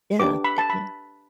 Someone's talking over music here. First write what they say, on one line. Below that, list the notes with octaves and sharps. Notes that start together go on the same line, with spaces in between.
Yeah, y yeah,
D4 G4 B4 D6
B5
A5
B5